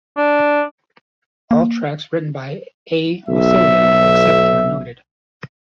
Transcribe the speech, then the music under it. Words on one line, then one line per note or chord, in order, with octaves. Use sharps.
All tracks written by A. Wasiliev, except where noted.
D4
A#3
B1 E5